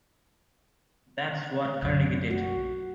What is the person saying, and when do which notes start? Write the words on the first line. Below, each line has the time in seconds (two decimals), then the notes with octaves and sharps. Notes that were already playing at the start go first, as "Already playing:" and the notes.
That's what Carnegie did.
1.82 B1 F#2
2.30 F#4